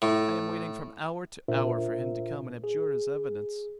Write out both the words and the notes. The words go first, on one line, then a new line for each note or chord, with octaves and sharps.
I am waiting from hour to hour for him to come and abjure his evidence.
A2
A#2 D4 F4 A#4 C5 E5
G#4